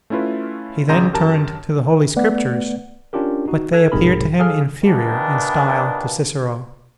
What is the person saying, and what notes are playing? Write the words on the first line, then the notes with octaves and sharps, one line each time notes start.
He then turned to the Holy Scriptures, but they appeared to him inferior in style to Cicero.
A3 C#4 E4 F4 B4
G#1 C#3 A#5 C6 G6 A#6
F#2 G4 A#4 A5 A#5
A3 B3 B4 D5 F#5
C#4 D4 F4 G4 A#4
D#4 F#4
A4 F#6 G#6
B1 G#2 C3 G#4 A#4 B5
G#4 A4 F5 G#5 D#6 F6
A#2 D#3 G3 B3 D4